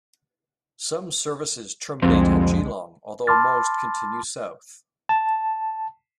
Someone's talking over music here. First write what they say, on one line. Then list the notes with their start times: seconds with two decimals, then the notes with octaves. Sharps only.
Some services terminate at Geelong, although most continue south.
2.02 C2 F2 D3 G#3 C4
3.27 A5 B5 C6 D6 F6 A6
5.09 A5